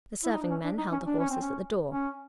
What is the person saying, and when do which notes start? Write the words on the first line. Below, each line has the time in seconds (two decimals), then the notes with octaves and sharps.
The serving-men held the horses at the door.
0.24 E4
0.32 D#4
0.42 D4
0.50 C#4
0.64 D4
0.79 D#4
0.92 C#4
1.06 D4
1.19 C#4
1.30 C4
1.41 C#4
1.91 C#4